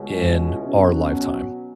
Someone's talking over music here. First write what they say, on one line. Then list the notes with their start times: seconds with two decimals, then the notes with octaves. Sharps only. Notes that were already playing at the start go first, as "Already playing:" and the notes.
in our lifetime?
Already playing: C#2 B2 G#3 C#4
0.17 E4
0.62 B2 F#3 C#4